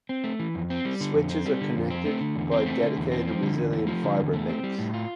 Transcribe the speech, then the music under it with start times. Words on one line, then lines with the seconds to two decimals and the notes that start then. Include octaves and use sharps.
The switches are connected by dedicated resilient fibre links.
0.09 C4
0.24 A3
0.39 E3
0.55 F2
0.70 C4
0.85 G3
1.01 D3
1.14 F2
1.30 C4
1.46 G3
1.61 D3
1.76 F2
1.90 C4
2.05 A3
2.21 D3
2.36 E2
2.52 C4
2.66 A3
2.82 D3
2.97 E2
3.11 C4
3.28 F3
3.43 D3
3.58 E2
3.72 A3
3.87 F3
4.03 D3
4.17 E2
4.33 A3
4.48 C4
4.64 G3
4.78 A2
4.94 F4